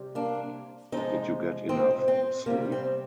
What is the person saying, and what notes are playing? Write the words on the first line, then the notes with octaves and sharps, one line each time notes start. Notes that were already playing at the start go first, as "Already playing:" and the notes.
Did you get enough sleep?
Already playing: C3 G3
A#3 D4
C3 F3 G#3 C4 D#4
C4 D#4
C4
C3 G3 A#3
C4